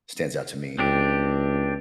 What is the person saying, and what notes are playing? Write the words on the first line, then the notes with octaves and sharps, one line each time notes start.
stands out to me.
C#2 C4 D4 G4